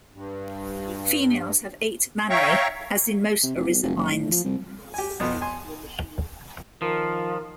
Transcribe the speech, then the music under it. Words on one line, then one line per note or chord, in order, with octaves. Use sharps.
Females have eight mammae, as in most oryzomyines.
G2
C#5 E5 F5 G5 A#5 C#6
C3
F1
B1
F1
F#1
A2
F3
C2
G4 G#5
F2 B2 B3
G#5 C6
D#3 F3 F4 A#4